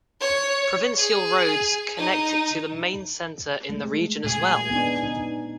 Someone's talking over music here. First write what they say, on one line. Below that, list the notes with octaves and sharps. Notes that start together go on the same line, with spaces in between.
Provincial roads connect it to the main centre in the region as well.
C#5
G#4
D#4
G#3 A3
A#2 G#4 G#5
B3 D4 D#4
D#4